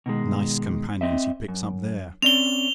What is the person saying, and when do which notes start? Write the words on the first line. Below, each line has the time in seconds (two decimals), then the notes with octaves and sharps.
Nice companions he picks up there!
0.06 B2 D#3 G#3
1.01 C4 D#5 E5
1.48 F#2
2.22 C4 C#4 D5 F7 G7